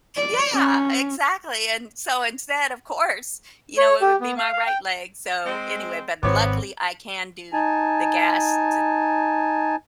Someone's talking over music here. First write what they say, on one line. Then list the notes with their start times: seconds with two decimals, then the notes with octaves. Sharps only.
Yeah, exactly, and so instead, of course, you know, it would be my right leg, so anyway. But luckily, I can do the gas to th
0.17 D5
0.53 C#4
3.78 C#5
4.02 G4
4.21 B3
4.38 F5
4.53 F5
4.66 G5
5.44 G#3 C4
6.23 G#1 G#2 B3 C4 C#5 D6
7.53 D#4 G#5 A5